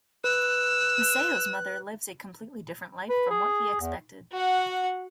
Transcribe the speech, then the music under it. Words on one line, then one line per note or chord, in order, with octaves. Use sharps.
Masao's mother lives a completely different life from what he expected.
B4 E6 F#6
B4
G#4
E2
F#4 F#5